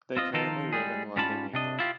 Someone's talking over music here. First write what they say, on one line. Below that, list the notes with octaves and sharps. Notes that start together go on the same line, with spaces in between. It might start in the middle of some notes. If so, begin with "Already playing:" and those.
They currently live in London, England.
C4 F4 D#5
D#3 F3 D#4 F4 A4 A#4
G3 G#3 G#4
G#2 G3 C#4 F4 A5 B5
C3 D4 D#5
E4 F4 G4